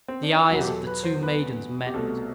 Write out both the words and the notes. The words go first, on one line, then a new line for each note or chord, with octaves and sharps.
The eyes of the two maidens met.
C4
D4
E4
E2 B2 F#3 F#4
G4
A4
B4
C5
B4
G4
C2 B2 A3 A4